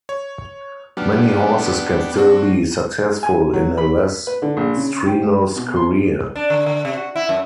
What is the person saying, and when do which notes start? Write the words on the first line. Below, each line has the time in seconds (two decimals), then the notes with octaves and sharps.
Many horses can still be successful in a less-strenuous career.
0.09 C#5
0.97 F#3 B3 D4 G4 F6
2.14 C4 D4 F#4
3.23 G#5
3.53 F#3
3.78 B5
4.27 B4
4.42 D3
4.57 A#1
4.76 C#3
5.06 G4
5.56 B2
5.76 C6
6.36 D4
6.50 D3
6.66 D3
6.85 C3
6.96 F#4
7.16 E4
7.29 F#2